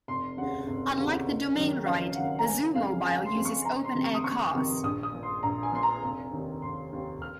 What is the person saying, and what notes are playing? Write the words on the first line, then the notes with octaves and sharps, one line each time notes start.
Unlike the Domain Ride, the Zoomobile uses open air cars.
F1 C6
D#2 C#3 F#5
F1
D#2 C#3
F#1
F#2 D#3
F#1 F5
F#2 D#3 F#5
A#5
F#1 G#5
F2 C#3 F5
F#1 G#5
C6
F2 C#3
C#6
F#1 A#5
C6
F2 C3 D#3
C#6
D#6
F#1 C#6
F2 C3 D#3
A#1 D#6
D#6
A#2
C6
A#1 A#5
G#5
A#2 C6
A#5
F1
D#2 D#3
F1 C6
D#2 D#3
F6